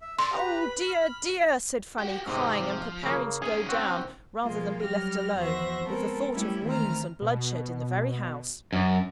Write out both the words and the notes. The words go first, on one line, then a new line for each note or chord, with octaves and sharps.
'Oh, dear, dear!' said Fanny, crying, and preparing to go down rather than be left alone, with the thought of wounds and bloodshed in the very house.
E5
A4 D5 C6
G4 B4 A#5
B5
F6
F#4 G4
G#2 C3 C4 D#4
F3
C#3 A#3
C#4 D#4 G#4 G#5
C4 F#4
B2 F3 G#3 A#3 F4
F#3 G3 G4 F6 A#6
E2 F3 F#4 C5 E5 A#6
G#3 B3 C4 A4 A#4
G3 A3 C#4 E4 G4
D#3 E3 A3 C4 A#5 F6
B2
F#2